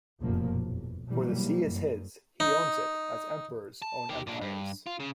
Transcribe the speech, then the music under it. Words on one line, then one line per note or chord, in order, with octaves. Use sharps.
For the sea is his; he owns it, as Emperors own empires.
F1 B1 F#2 A#2 F3 A#3
E2
B2 E3 F#3 G3 A#3
F#2
D#4
A5
D#3 G4
A#2 D4
G2
F4
C#3